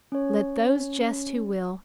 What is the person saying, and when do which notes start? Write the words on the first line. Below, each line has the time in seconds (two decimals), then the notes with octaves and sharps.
Let those jest who will.
0.12 C#4 C#5